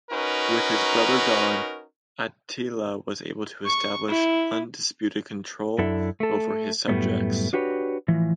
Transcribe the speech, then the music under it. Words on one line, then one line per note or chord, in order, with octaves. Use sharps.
With his brother gone, Attila was able to establish undisputed control over his subjects.
C#4 D#4 F#4 A#4 B4
C#6
E4
F#2 D4 E4 A4 E5
A3 A4
F#2 A2 D3 G3 A3 B3
D4 F#4 G4 B4 C#5
A2 E3 F3